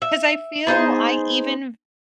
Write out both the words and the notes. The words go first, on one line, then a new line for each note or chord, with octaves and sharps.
'cause I feel I even
E5
B3 D#4 G#4 C5